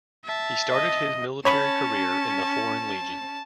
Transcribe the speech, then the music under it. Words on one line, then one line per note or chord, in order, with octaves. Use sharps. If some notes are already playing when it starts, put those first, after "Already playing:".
He started his military career in the Foreign Legion.
E5 A5
D#5
C#4 C#5 A5 B5 C#6